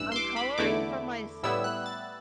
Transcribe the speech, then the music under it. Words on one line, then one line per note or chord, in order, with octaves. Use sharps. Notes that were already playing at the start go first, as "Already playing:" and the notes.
I'm coloring for myself,
Already playing: A1 G2 E3 E6 F#6
C6
D6
B5
E2 D3 A3 E4 D6
A2 G3 B3 E4 E6
F#6
A6